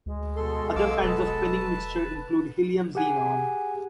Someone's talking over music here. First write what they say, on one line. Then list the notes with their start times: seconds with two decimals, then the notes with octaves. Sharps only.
Other kinds of Penning mixture include helium-xenon.
0.06 D2 G#3
0.37 B2 A4 C6
0.76 B1 F5 D6 E6
1.02 E1 B4 A5
2.95 G4 G#4 F#5 G#5